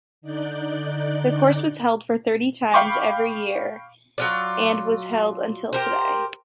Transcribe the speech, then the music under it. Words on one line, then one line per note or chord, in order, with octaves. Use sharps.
The course was held for thirty times every year and was held until today.
D3 D#4 D5 F#6 G6
F5 G5 B5 C#6 D6
F#3 F4 D5
G4 A#4 C5